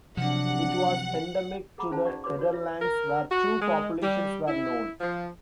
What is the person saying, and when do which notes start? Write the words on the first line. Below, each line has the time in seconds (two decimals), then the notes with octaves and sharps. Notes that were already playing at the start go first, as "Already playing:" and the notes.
It was endemic to the Netherlands, where two populations were known.
0.17 C3 F3 F#3 D4 F#5
1.78 G#4 A4 F#5 A#5 B5 D6
1.91 C#4 G#4 C5 F5 A5
2.05 D#4 F#4 D5 D#5 F#5 C#6
2.24 F#4 B4 C#5 D5 C6 D6
2.39 F#4 A4 C#5 D5
2.54 F4 E5
2.81 A#4
3.31 F#4
3.61 G#3
4.02 G3
4.47 E4
5.00 F3